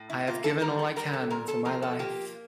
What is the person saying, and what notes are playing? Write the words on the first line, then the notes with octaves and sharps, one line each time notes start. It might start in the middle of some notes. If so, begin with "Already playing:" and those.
I have given all I can for my life.
Already playing: A2
E4
A#3 F4
A4
G3 A#4
A4
G3 A#4
A4
A#2 A#4
A4
F3 A#4
A4
A#3 G4